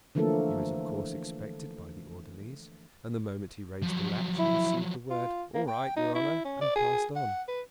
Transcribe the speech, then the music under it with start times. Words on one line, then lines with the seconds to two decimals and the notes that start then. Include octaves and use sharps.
He was of course expected by the orderlies, and the moment he raised the latch he received the word: 'All right, your honor!' and passed on.
0.15 D3 E3 F3 A3 A#3 A4
3.82 F3 F#3
4.39 E4
5.10 F4
5.55 A#3
5.68 G5
5.96 D#4
6.15 E4
6.45 C#4
6.61 D5
6.76 G#4
7.16 F#5
7.48 B4